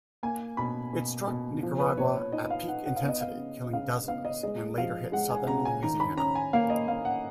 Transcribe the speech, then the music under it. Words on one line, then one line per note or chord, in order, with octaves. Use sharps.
It struck Nicaragua at peak intensity, killing dozens, and later hit southern Louisiana.
A#3 G#5
B2 B5
B2
B2
F3
B4
A#2 C#5
C#5
D#4 D#5
F5
D#4 F#5
F#5
F5
B3
D#5
F5
C#3
C#3 F5
B3 F5
D#5
G#3 D#5
F3 F5
G#3 F#5
G#5
C#3 A#5
G#5
D#3 A#5
B5
C#4 A#5
G#5
A#3 F5
D#5
A#3 F5
F#5